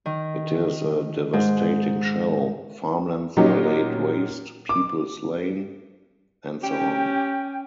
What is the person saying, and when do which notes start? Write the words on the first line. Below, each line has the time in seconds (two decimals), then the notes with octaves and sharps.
It is a devastating show: farmlands are laid waste, people slain, and so on.
0.06 D#3
1.33 G#2
3.37 A#2 F#3 C#4 D#4 G4
4.69 D6
6.63 C#4 G4 G5